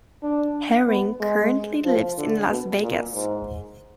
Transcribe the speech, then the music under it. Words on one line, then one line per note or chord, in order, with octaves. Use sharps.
Herring currently lives in Las Vegas.
D4
B3
G#3
F3
D3
B2
A#2
G#2